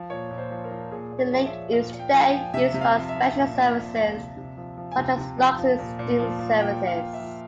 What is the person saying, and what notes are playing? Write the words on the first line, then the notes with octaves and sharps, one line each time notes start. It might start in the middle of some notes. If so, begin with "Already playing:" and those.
The link is today used by special services such as luxury steam services.
Already playing: F3
A#2 C#5
A#2
C5
F3
A#4
F3
A#2 G#4
A#2
C#5
F3
E5
F3
A#2 F5
A#2
G5
F3
G#5
G5
F3
C3 E5
C3
F5
F3
E5
F3
A#2
A#2
F3
F3
C3
C3
F3
F3
G#5
C3 G5
C3
F3
F3
A#2
A#2
F3
F3
A#2 G5
A#2
F5
F3
E5
F3